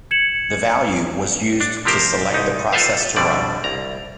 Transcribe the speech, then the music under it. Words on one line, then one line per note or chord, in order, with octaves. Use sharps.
The value was used to select the process to run.
G#6 C#7 E7 F#7
D4
C3 F3 G4 A#4 C5
C2 G#2 D#4
F4 A4 B4 C5 E5 F5
F2 B2 D3 G3 D5
C2 A#5